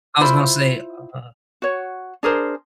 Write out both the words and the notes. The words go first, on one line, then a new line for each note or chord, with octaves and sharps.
I was gonna say, uh
E4 F4 C5 B5
F#4 C#5
D4 G#4 A#4 C5